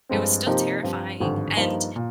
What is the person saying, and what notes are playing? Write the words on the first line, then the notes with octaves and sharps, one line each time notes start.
it was still terrifying, and
G2 F3 G#3 C4
C3 F3 A#3 D#4 G4
G2 F3 C4 G4
G#1 G2 D3 F3
G2 F3 A#3 D#4
A#2